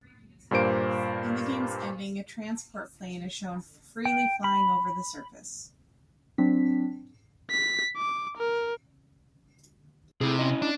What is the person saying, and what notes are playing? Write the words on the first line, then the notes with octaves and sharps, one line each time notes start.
In the game's ending, a transport plane is shown, freely flying over the surface.
G2 A#2 A#3 C5 D7
G5
B5
F#3 C4 D4 B6
B6
D6
A#4
C3 A3 E4 G#4
C#4 E4 D#5
D4